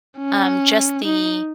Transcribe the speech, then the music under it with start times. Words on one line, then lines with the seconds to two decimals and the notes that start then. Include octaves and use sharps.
um, just the,
0.19 C#4
1.05 D#4